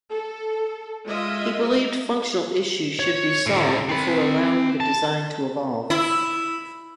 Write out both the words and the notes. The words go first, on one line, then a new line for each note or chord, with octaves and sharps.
He believed functional issues should be solved before allowing the design to evolve.
A4
G#3 F4 D#5 E5
C#5
A2 D3
C4 B5
A5
E4